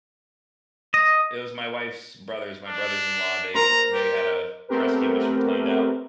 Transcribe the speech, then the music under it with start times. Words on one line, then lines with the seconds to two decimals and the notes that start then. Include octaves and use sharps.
it was my wife's brothers my brothers-in-law, they they had, uh, rescue mission planned out
0.94 D#5
2.67 D4
3.55 A#4 C5 A#5
3.94 G4
4.69 A3 B3 C4 G4 A#4 B4